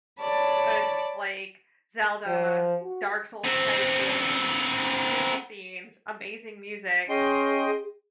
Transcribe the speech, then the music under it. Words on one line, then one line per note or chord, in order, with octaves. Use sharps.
Or it's like Zelda, Dark Souls-type games- beautiful scenes, amazing music,
C#5 D5 A5 B5
F3
F#4
B3 C4
C#4 G#4 D#5 G5 C6